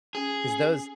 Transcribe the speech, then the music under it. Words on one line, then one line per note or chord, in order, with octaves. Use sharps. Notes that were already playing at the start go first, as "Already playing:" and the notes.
'Cause those
C#4 G#4